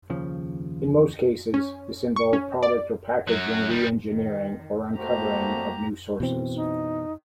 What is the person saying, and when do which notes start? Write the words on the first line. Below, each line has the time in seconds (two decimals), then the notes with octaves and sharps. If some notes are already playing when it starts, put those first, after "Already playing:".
In most cases, this involved product or packaging re-engineering, or uncovering of new sources.
0.10 D#2 C#3 F3
1.54 C#4
2.16 C#6
2.33 C#4
2.63 D5
3.28 F#2 F#3
3.69 D#3 G3
4.10 D#3
4.98 A3 A#3 F#4 G4 C5 A#5
6.20 B2 E3 C4
6.56 D#4